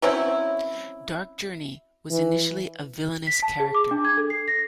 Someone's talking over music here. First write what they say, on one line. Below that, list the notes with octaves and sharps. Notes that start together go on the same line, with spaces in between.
Dark Journey was initially a villainous character.
F#3 C4 C#4 E4
E3
B6
A5
G#4
D6
D4
G#6
A4
C7
A#6